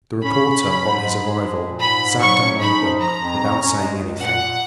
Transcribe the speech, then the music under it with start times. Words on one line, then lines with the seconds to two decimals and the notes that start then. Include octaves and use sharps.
The reporter, on his arrival, sat down on a rock, without saying anything.
0.24 C#4 B5
0.44 C#4
0.63 F#3
0.83 G#2
1.02 G#3
1.23 G#3
1.43 F3
1.62 A#2
1.82 G#2 B5
2.03 G#2
2.22 F#3 C#6
2.41 C#4
2.61 D#4 B5
2.81 F3
3.01 F3 A#5
3.22 F2
3.42 C#4
3.61 C#4
3.81 G#3
4.01 C#2
4.20 A#2 F#5
4.40 A#2